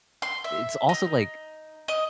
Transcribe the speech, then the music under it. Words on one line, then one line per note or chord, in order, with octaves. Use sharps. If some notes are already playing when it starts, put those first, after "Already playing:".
it's also, like,
C6
E5
D#4
D#5